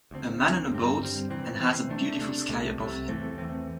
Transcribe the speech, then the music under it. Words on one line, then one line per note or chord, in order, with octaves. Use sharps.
A man on a boat and has a beautiful sky above him.
D2 D3 C4
D2 D3 C4
G2 D3 G3 C4
G2 D3 G3 C4
C3 E3 C4
C3 E3 C4
C3 A3 D4
C3 A3 D4
C2 C3 A3
C2 C3 A3
E2 E3 A3 C4
E2 E3 A3 C4